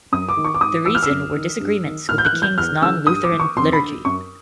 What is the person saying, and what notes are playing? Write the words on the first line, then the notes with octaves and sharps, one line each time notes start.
The reason were disagreements with the King's non-Lutheran liturgy.
F#2 D#6
D6
D#3
C#6
D6
G#2 D#6
E3 E6
F6
E6
F#2
D#3
G2
D#3
A2 F6
G6
F#6
E3
G6
E2 F6
C#3 E3 E6
G2 D#6
D6
E3
C#6
F2 C6
B5
D3
F#2 C#6